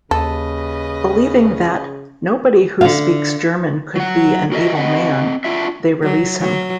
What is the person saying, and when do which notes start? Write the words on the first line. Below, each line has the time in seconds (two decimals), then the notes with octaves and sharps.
Believing that "nobody who speaks German could be an evil man", they release him.
0.11 D#2 C#3 A4 B4 D#5
2.81 D3 F5
3.96 F#3 F#5
4.52 F#4 A#4 C#5 D#5 E5
4.75 C4 D#5 F#5
5.45 D4 F4 F#4 E5
6.04 F#3
6.41 F#3